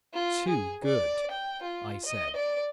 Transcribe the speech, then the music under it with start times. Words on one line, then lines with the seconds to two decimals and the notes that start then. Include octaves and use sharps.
"Too good," I said.
0.14 F4
0.49 G#4
0.85 D5
1.31 G5
1.63 F4
2.06 D#5
2.36 D5